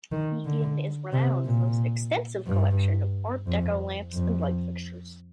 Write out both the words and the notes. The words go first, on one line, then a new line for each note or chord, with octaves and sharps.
Egan is renowned for his extensive collection of art deco lamps and light fixtures.
D#3
D3
C3
A#2
G2
F2
F2